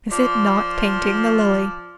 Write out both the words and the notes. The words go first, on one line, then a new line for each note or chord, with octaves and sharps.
Is it not painting the lily?
F3 D5 C6